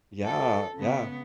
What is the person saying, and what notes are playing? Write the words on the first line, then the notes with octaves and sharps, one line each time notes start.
Yeah, yeah.
A4
C#3 B3